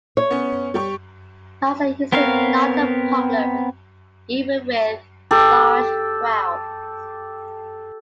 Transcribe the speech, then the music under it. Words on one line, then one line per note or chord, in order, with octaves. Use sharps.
Lines are usually not a problem even with large crowds.
C#5
B3 C#4
G3 G4 C#6
B3 C4 A#4 C#5 F5
G4 A4